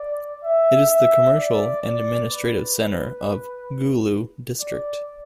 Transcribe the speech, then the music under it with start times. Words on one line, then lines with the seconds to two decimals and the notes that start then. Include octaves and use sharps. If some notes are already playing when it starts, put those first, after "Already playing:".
It is the commercial and administrative centre of Gulu District.
Already playing: D5
0.44 E5
0.90 E5
1.37 D5
1.83 D5
2.30 B4
4.61 D5